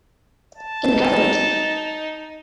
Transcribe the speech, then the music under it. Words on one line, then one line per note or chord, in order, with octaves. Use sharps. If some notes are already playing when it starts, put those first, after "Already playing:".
In the Govt.
A5
D#4